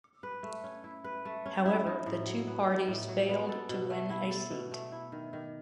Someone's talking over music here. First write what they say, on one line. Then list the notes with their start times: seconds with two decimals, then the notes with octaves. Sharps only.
However, the two parties failed to win a seat.
0.23 B4
0.43 A3
0.64 C#4
0.84 E4
1.04 B4
1.25 A3
1.46 C#4
1.66 E4
1.86 D#4
2.06 A2
2.27 F#3
2.47 B3
2.67 D#4
2.88 A2
3.09 F#3
3.29 B3
3.49 A4
3.69 B2
3.90 A3
4.10 E4
4.31 A4
4.51 B2
4.71 A3
4.92 E4
5.12 D#3
5.33 D#3